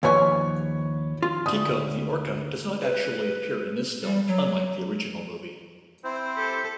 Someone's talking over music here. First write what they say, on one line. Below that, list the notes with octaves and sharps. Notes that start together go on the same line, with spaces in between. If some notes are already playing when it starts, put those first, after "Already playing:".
Keiko the Orca does not actually appear in this film unlike the original movie.
D#2 F3 B4 C#5 G#5 C#6
F4
D2 D#6
B4
G3
F#3
C4 E4 C5
G4 A4